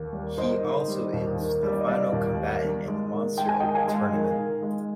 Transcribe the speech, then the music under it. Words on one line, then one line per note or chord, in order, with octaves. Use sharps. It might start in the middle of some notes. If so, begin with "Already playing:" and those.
He also is the final combatant in the Monster open Tournament.
Already playing: D#2
G3
D#3 C5 D#5
D#3
G3
D#2
D#3
G3
D5
D#5
G3 D5 F5
D#2
G3
D#3
G#3
D#3
G#3 G5
G#5
D#3 D#5 G5
F5 G#5
G#3
D#3
D#3
G#3